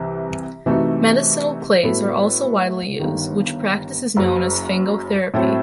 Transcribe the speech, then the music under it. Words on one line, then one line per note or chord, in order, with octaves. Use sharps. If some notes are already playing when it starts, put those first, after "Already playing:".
Medicinal clays are also widely used, which practice is known as 'fangotherapy'.
Already playing: C2 C3 E3
C3 E3 A3 D#4 F#4
A2 F#3 B3 E4 A4
G1 G2 D#3
F#1 F#2 F#3
A2 F#3 A3 C4 E4